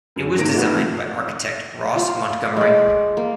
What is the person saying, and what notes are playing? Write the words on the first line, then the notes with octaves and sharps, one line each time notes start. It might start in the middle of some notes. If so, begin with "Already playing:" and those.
It was designed by architect Ross Montgomery.
F#2
G#1 G#2 A#3 A#6 D7
A3 D#4 F#4 B4
C3 F3 A3
F4
G#3 D5
A#3